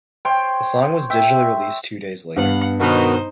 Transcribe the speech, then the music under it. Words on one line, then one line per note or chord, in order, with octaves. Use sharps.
The song was digitally released two days later.
C5 C#5 G5
E5 G5
G2 B3 F5 F#5
B2 D#3 D#4 C5